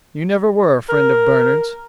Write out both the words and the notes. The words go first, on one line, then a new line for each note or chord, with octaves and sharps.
"You never were a friend of Bernard's."
A#4